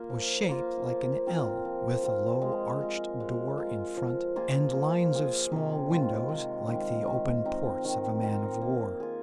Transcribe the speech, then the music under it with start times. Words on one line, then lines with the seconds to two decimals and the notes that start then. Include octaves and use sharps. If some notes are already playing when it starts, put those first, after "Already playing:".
It was shaped like an L, with a low arched door in front, and lines of small windows like the open ports of a man-of-war.
Already playing: A#3 F4
0.10 F3
0.49 A#3 F4
0.88 F3
1.26 C4 F4 A#4
1.65 F3
2.03 C4 F4 A#4
2.42 G#3
2.81 F4 A#4
3.20 G#3
3.58 F4 A#4
3.97 F3
4.36 A#3 F4 G#4
4.74 F3
5.13 A#3 F4 G#4
5.52 C3
5.91 D#3 G#3 F4
6.29 C3
6.68 D#3 G#3 F4
7.07 D#3
7.45 C4 D#4 A#4
7.85 D#3
8.23 C4 D#4 A#4
8.61 A#3
9.00 F4 G#4